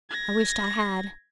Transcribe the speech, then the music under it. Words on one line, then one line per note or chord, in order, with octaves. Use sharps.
I wisht I had.
G#6 A#6